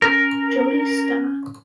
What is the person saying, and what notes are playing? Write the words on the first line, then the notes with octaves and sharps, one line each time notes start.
Jodi Sta.
C#4 A#4